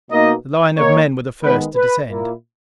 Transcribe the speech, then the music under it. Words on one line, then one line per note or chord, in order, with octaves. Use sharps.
The line of men were first to descend.
B2 A#3 D#4 D#5
D#3 A#3 D#4 C#5
D#3 G#3 B3 B4
B4
A#2 A#3 E4